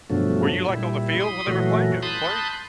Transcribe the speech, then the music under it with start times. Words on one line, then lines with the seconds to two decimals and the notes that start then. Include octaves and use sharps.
Were you, like, on the field when they were playing it playing?
0.10 G2 B2 D3 F3 F#3 A3
0.68 A#2 G3 E4
1.20 B5 C6 D#6
1.47 A#2 E3 F#3 A3 F#4
2.02 A5 B5 C6 D#6 F#6 G6